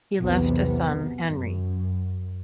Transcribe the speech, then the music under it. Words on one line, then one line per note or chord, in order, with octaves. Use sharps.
He left a son Henry.
B1 E2 C3 B3
F#2